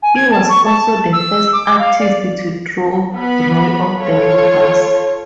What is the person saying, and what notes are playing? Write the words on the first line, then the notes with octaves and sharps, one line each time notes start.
He was also the first artist to draw "Roy of the Rovers".
G#5
G#6
A5
C#6
A5
E6
D6
F5
D5
B3 B5
F4 A4 C#5